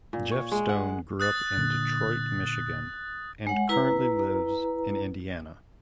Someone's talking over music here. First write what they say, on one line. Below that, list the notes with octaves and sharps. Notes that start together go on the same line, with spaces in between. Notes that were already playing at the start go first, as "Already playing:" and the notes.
Jeff Stone grew up in Detroit, Michigan, and currently lives in Indiana.
A#2
C#5
G#3
F#5
D#6 F#6 A6
A#2 D3
G#3 C#5 F#5
E4 B4 A#5